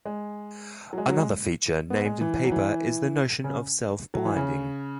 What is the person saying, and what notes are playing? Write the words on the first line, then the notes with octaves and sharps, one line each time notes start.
Another feature named in paper is the notion of self-blinding.
G#3
F#3
G#3
F#3
G#3
B3
G#3
E3
F#3
E3
C#3
F#3
E3
C#3